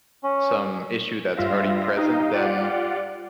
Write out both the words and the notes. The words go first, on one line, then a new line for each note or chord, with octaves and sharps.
some issue that's already present, then
C#4
G2 G3 F4 E5 F5 A#6
D#4 G4 D#5 F5
F4 G4 D5 F5 F#5